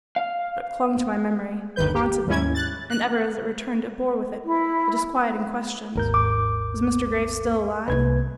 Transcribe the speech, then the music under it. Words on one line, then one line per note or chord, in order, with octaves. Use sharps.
But it clung to my memory; it haunted me; and ever as it returned it bore with it the disquieting questions: Was Mr. Graves still alive?
F5
G1 D#2 B4 G6
G4
D#2 G#2 C#4 E4 G#6
F#6 A6
F#6
E4
G#1 D#2 A#4 G6
D6
C2 A#3 B4 G#6